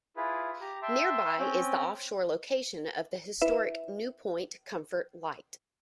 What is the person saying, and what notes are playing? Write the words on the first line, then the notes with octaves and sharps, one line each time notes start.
Nearby is the off-shore location of the historic New Point Comfort Light.
E4 F4 G#4 B4
G4 A#5
E5 G5 A5 C6
C4 C#4 G5
E4 B4 E5